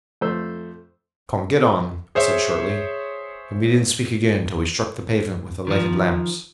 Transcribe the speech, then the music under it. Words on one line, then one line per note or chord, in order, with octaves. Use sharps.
"Come, get on," I said shortly; and we didn't speak again till we struck the pavement with the lighted lamps.
F2 A3 C5 E6
G#4 C5 C#5 E5
D#3 F3